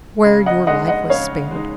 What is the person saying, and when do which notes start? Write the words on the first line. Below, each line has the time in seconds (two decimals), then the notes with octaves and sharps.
Where your life was spared!
0.25 C#3
0.46 D#5 F#5
0.67 G#3 D#4 D#5 F#5
0.88 D#5 F#5
1.10 C#3 C#5 F5
1.51 G#3 D#4